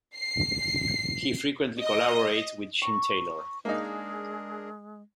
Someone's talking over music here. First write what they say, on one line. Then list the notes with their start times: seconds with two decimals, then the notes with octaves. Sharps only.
He frequently collaborates with Jim Taylor.
0.16 C7
1.81 D#5
2.82 A#5 C#6
3.65 G#3 A#3 D4 D#4 G#4 A#4